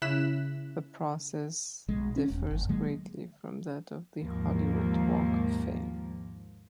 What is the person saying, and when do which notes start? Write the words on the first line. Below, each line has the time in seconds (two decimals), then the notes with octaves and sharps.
The process differs greatly from that of the Hollywood Walk of Fame.
0.02 C#3 E4 F#6 B6 E7
1.88 B1 G#3
2.16 C#4
2.30 E1
2.51 G1
2.69 D3 F#3 G#3 A#3
4.18 D#2 G#2 F3 A#3